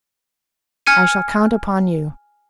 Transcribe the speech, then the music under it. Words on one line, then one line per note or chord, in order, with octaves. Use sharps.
I shall count upon you.
G#5 F6 G#6 C#7 D#7